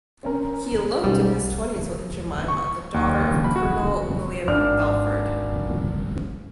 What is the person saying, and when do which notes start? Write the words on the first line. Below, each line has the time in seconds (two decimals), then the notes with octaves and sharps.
He eloped in his twenties with Jemima, the daughter of Colonel William Belford.
0.23 C4 C#4 A#4
1.04 B1 G#2 G3 C#4
2.48 C#6
2.94 D#2
3.44 B5
3.56 F#4
4.48 G#1 D4 F6